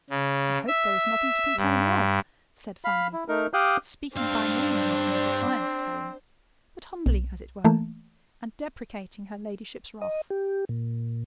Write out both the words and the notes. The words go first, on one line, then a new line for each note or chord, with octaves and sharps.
"I hope there is nothing to complain of," said Fanny, speaking by no means in a defiant tone, but humbly as it were, and deprecating her ladyship's wrath.
C#3
E5
G2
F5 B5
E4
A3 D#4 A#4
G4 F5 D6 D#6 F#6 G6
G2 C4 D4 C5 F5
B1
E3 A3 A#3
D#5
G4
A#2